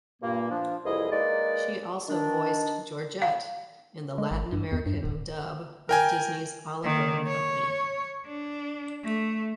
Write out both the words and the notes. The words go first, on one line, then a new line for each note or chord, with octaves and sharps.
She also voiced Georgette in the Latin American dub of Disney's Oliver and Company.
G2 A#2 A#3
F3 D4
C2 F2 E3 E4 G#4 D#5
G#3 A#3 D#4 B4 D5
D#3 D4
F5
G#3
G#1
G2
E2
G2
D1
A#4 G5 G#5
D#3 A#3
C#5
D4
A3